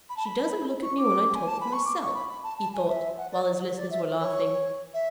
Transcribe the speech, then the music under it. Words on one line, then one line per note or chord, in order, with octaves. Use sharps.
"She doesn't look at me when I talk of myself," he thought, while his listeners were laughing.
B5
A5
B5
C#6
D6
G#5
A5
B5
C#6
D6
C#6
B5
B5
A5
A5
G#5
E5
F#5
D5
C#5
D5
E5
C#5
E5